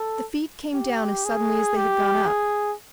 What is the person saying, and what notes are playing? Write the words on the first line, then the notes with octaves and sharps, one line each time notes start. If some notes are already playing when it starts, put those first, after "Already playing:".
The feet came down as suddenly as they had gone up.
Already playing: A4
G4
G#4
G4
G#4